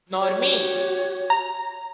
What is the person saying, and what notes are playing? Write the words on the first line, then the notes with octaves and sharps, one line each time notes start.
Nor me.
F#4 G4 C#5
A#5